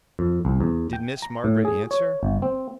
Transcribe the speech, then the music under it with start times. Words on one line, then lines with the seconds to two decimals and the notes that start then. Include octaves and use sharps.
"Did Miss Margaret answer?"
0.19 F2
0.45 C2
0.60 E2
0.93 G5
1.22 A#5
1.44 A2
1.65 G#4
1.91 C#5
2.23 G1
2.42 C4